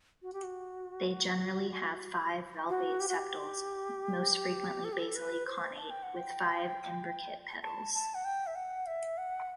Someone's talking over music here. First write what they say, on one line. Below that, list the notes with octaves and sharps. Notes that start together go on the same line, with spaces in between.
They generally have five valvate sepals, most frequently basally connate, with five imbricate petals.
F#4
G4
F#4
F#4
G4
F#4
G4
A4
G4
A4
B4
C5
A5
G5
F#5
G5
A5
A5
F#5
G5
E5
F#5
E5
F#5